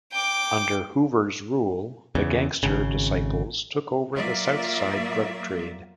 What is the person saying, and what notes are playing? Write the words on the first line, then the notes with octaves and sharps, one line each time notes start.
Under Hoover's rule, the Gangster Disciples took over the South Side drug trade.
G5 D6
E2 C#3
G#1 C#3
F#3 A#3 F4 D5 E5